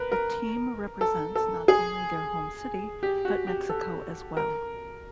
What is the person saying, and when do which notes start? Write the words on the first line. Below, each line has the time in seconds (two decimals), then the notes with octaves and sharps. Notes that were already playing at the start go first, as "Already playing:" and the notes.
The team represents not only their home city, but Mexico as well.
Already playing: A#4 B4
0.12 A#4
1.01 A4
1.36 A4
1.68 G#4
3.03 G4
3.25 F#4
3.47 G4
3.69 A4
4.37 A#4